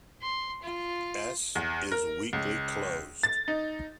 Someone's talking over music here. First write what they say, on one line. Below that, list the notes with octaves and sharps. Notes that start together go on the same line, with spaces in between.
"S"' is "weakly closed".
C6
F4
E2
A#4
C#2
A6
D#4